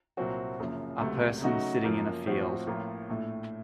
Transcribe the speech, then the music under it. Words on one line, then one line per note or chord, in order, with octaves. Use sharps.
A person sitting in a field.
C2 A#2 F#3 C4 F#4
F#1 F#2 C#3 F3
C#2 C3 F#3 A3
C#3 F#3 A3 D#4 F#4
F#2 F3 A#3
A2 F3 C4 F#4
A1 A2 F3 A#3 F4
A#1 A2 A3